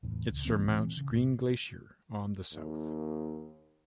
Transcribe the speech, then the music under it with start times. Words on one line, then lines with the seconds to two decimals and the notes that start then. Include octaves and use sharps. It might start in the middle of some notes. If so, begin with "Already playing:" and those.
It surmounts Green Glacier on the south.
0.03 E2 A2 E3
0.32 C#2
0.45 C#2 E3 A#3 C4
0.68 A#2 E3 C4
0.97 C#3
1.10 E1 A2
2.52 D#2